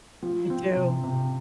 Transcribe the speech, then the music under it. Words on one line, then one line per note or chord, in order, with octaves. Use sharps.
I do.
F3
C4
C3
C3